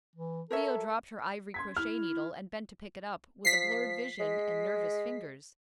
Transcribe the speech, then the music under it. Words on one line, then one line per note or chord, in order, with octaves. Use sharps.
Theo dropped her ivory crochet-needle, and bent to pick it up, with a blurred vision and nervous fingers.
E3
A4 A#4 C#5 E5
C#4 C6 G#6 B6
E4 F6
F3 B6 C7
G#3